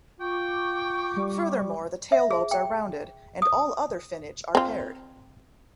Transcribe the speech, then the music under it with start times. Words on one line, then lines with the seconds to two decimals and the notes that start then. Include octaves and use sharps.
Furthermore, the tail lobes are rounded, and all other finnage are paired.
0.21 F4 G5 C#6 D6
1.16 G3
2.12 E5
2.31 G#4
2.51 G5
3.42 D#6
4.55 C4 F4